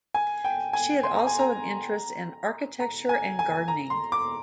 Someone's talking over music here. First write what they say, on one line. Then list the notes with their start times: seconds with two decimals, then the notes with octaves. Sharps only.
She had also an interest in architecture and gardening.
0.14 G#5
0.44 G5
0.73 G#5
1.03 C6
1.15 A#5
1.27 G#5
1.39 A#5
2.80 A#5
3.09 G#5
3.39 G#5
3.68 A#5
3.90 C6
4.12 D6